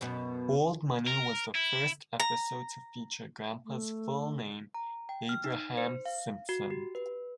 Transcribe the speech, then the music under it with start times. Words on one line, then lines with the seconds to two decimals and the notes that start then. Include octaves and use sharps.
"Old Money" was the first episode to feature Grampa's full name, Abraham Simpson.
0.01 F#2 B2 B3
1.07 A#4
1.55 E4
2.20 A#5
3.64 A3
4.74 A#5
5.09 G5
5.29 F6
5.44 D#4
5.78 C5
6.06 F5
6.49 F#4
6.70 G4
6.95 B4